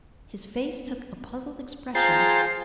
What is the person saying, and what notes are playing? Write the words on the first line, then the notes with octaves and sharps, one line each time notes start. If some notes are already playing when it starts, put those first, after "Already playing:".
His face took a puzzled expression.
F4 G#4 C5 G5 A5 A#5